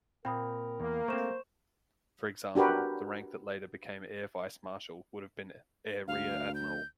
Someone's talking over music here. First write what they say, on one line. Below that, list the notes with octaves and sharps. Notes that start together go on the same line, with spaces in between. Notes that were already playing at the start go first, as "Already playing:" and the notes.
For example, the rank that later became air vice-marshal would have been air rear-admiral.
A#2 A#3 C4 A#4 G5 B5 D#6
E2 A#3
A3 C4 C5 C#6 E7
D4 F#4 G4 A#4 B4
D2 F5
G6